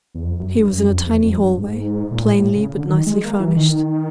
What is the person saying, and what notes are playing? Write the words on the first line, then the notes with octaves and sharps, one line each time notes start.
He was in a tiny hallway, plainly but nicely furnished.
E2
F2
F#2
G2
F#2
F2
E2
F2
G2
G#2
A#2
A2
A2
C#3
D3
D#3
G#3
A#3
E3
D#3